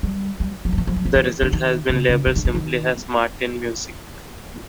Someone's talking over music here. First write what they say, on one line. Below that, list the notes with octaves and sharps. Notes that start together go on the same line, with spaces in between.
The result has been labeled simply as Martin Music.
G3
G3
F#3
F3
E3
F3
F#3
F3
E3
D3
D#3
C#3
C#3
D3
D#3
D3
D#3